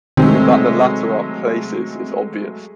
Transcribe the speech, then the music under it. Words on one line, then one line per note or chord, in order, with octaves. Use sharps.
That the latter are 'places' is obvious.
C3 D#3 F#3 G#3 A3 C4